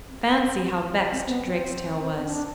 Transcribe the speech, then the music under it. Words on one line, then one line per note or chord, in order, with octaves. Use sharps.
Fancy how vexed Drakestail was!
C4
C4
B3
C4
D4